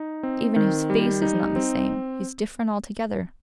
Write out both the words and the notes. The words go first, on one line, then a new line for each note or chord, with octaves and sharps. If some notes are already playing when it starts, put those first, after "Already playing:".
Even his face is not the same; he's different altogether.
Already playing: D#4
C4
D#3
G3
D#4
C4